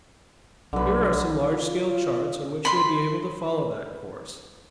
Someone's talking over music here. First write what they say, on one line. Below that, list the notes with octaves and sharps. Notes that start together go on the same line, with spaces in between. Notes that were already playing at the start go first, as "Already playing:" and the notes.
Here are some large-scale charts on which you'll be able to follow that course.
B1 D3 B4
F4
B5 C6